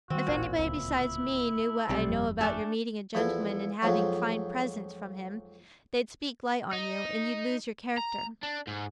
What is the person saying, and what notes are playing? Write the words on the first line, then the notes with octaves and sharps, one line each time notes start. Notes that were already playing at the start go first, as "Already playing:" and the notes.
If anybody besides me knew what I know about your meeting a gentleman and having fine presents from him, they'd speak light on you, and you'd lose your character.
D#3 G3 C4 F#4
D#1 A1 A#2
D1 G1 C#2 E4
B1 C3 G3 C4
G1 F2
A3 D4 A4 G#5
E2 F3 E4 A4
F2 G#2 F3 F#3
D#4
A#5
D4
G#2